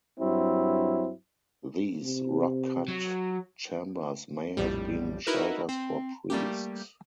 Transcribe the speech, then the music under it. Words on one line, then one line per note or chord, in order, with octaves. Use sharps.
These rock-cut chambers may have been shelters for priests.
G2 F#3 C4 E4
C3
F#3
A#1 F2 A2 G3
D#4 E4 F#4 A#4 B4
C4
G3 A3 A#3 G4